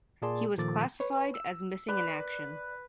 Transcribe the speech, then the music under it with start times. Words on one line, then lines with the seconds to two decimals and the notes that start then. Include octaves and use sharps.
He was classified as missing in action.
0.22 A#2 A#3 G#4 D5 A5 C6
0.58 A#2 D#3 F3 A4 D6 A6
1.00 B4 C#5
1.34 E6
1.88 B4 D5